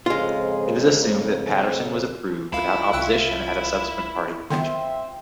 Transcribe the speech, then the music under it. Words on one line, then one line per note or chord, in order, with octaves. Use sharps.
It is assumed that Patterson was approved without opposition at a subsequent party convention.
F2 G#2 C#3 G#3 F4
C#2 E4 F4 F5
C2 G5 E6 F#6
D3 D#3 B3 C4 F4 E5 G5 C6